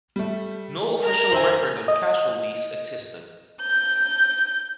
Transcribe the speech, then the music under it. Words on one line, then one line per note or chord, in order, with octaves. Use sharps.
No official record of casualties existed.
G3 A3
A#4 A#5
C5 E5 G#5
D#5
G6